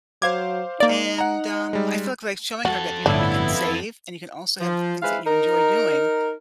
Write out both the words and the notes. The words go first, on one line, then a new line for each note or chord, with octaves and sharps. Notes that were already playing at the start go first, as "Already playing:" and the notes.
and, um, I feel like showing her that, you know, you can save and you can also have things that you enjoy doing,
F#3 C5 F5 D6 G#6
A#3 D#4 D5
F#5 A#5
G3 G#3
F2 F#4 A4
G1 A2 B3 D4 E4
F3
G#3 E4 B4 C5 F5
D#4 A#4